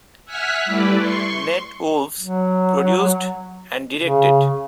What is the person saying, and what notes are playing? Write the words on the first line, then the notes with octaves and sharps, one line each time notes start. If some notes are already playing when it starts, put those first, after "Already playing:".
Nat Wolff produced and directed.
E5 F#5 G#5 F6 F#6 B6
G3 A3 E4 B4 D5
C6 C#6
F#3
C#3